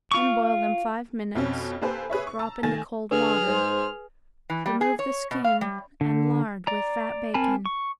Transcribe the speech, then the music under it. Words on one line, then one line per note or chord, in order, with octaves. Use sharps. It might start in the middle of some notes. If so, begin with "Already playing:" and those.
Then boil them five minutes, drop into cold water, remove the skin and lard with fat bacon.
F4 C#6
F2 B2 C4 C#4
A#3 G4 A4 B4 C5 G#5
G#4 B4 C#5 E5
C#6
A5 A#5 E6
D#3 A3 G#5 A6 A#6 E7
D3 G#4 B4 F6
G#2 C5
E3
G3
G#4
C#5
B2
F5
G3
D3
D5 A#5
C4 A#4 G#5 A5 B5
C#6